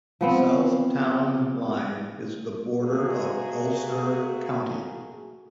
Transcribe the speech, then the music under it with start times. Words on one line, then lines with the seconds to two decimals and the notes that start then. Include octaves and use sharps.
The south town line is the border of Ulster County.
0.21 F3 B3 C4
2.80 A3 A#3 F#4 G#4